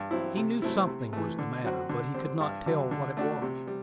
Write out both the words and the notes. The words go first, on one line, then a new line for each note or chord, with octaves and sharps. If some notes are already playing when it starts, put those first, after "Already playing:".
He knew something was the matter, but he could not tell what it was.
Already playing: G2
F#3 C4 E4
C3
F#3 A3 C4 E4
C3
E3 A3
D3
F#3 C4 F#4
D3
G3 C4
G2
D3 F#3
D3
A3 D4 F#4
C3
G3